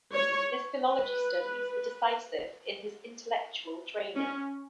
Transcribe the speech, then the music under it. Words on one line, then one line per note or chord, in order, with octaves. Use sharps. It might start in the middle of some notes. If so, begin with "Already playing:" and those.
His philology studies were decisive in his intellectual training.
C#5
B4
C#4